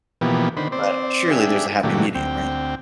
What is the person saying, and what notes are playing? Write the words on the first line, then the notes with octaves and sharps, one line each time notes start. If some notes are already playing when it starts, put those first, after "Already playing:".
But surely there's a happy medium, right?
B2 E3 F3 A#3 B3 G4
D3 D#3 C5 B5
C4 C5 D5
D4 G4 G#4 E5
A#2 D3 E3 F#3 A3 G4
D2 C4 G5